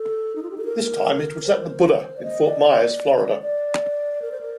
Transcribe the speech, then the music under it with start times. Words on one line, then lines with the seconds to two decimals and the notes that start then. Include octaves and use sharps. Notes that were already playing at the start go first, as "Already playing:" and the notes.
This time it was at The Buddha in Fort Myers, Florida.
Already playing: A4
0.36 D#4
0.43 F4
0.51 G4
0.58 A4
0.65 A#4
1.45 C5
2.17 D5
2.23 D#5
2.43 D5
3.42 D5
4.22 A#4
4.32 C5
4.41 A#4